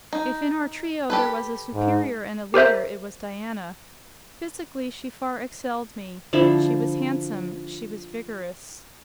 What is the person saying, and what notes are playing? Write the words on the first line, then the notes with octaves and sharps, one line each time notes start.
If in our trio there was a superior and a leader, it was Diana. Physically, she far excelled me: she was handsome; she was vigorous.
D#4
G4 A4 B4
G#2
G4 A#4 C5 E5
D3 F3 D4 E4